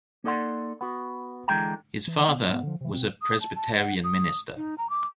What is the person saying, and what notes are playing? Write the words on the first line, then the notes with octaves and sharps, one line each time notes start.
His father was a Presbyterian minister.
A#3 D#4 A4 D5 F#5 C6
B3 F#4
D3 E3 G#3 G5 A#5
E3
B3
G#2 A#3 B3
D3 F3
C3 E3
B2 C4
D#6
A5
A5
F#5
D#6
D#4
A#5
D6